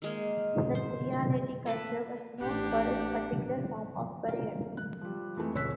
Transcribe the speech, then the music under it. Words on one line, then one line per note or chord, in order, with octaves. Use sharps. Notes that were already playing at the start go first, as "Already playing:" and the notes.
The Trialeti culture was known for its particular form of burial.
D#3 G#3 A#3
C5
A3 B4 A5 D6
A1 D4 G4 F#5
A#4 F5
F#6
F3 G3
F2 E3 G#3 A3
D#1 C#2 C#5 E6 F#6 B6